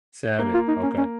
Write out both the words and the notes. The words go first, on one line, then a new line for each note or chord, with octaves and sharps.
Salmon, okay.
A#3
F4
D#4
C#4
C#4